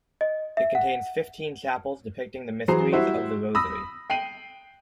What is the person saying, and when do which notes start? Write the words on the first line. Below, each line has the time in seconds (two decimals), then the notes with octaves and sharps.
It contains fifteen chapels depicting the mysteries of the Rosary.
0.21 D#5
0.57 E5
0.75 F#5
2.68 E3 F#3 G#4 C5 A#5 C7
2.93 G3 E4 F#4 C5
3.55 B5 D#6 E6 A#6
4.10 G5 C7 D#7 F#7